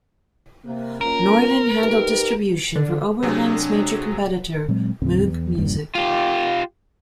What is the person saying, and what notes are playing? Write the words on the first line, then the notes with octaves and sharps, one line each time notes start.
Norlin handled distribution for Oberheim's major competitor, Moog Music.
C3 A#3
A#3 C#4 F4 A#4
D#4 G4 B4
D3
C3 F#3 D4 G#4
A#2 F#3 G#3 C4
D#2 A2 C#3 C4
E2
E1 A#1 G2 A#2
F4 G4